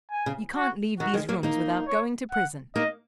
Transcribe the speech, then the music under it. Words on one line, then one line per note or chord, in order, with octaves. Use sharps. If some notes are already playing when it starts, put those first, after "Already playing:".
You can't leave these rooms without going to prison.
G#5
C#3
F#4
D#3 F#4
D#3 G#3
F#3 A#3
A#3 D#4
C#5
F#5
A#3 D#4 D#5